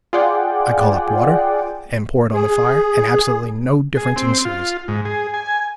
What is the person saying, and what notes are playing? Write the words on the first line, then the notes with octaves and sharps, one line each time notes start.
I call up water, and pour it on the fire, and absolutely no difference ensues.
F4 G#4 D5 F#5 G5
G#4
G#4
C4
F4
G#2
G#4
G#5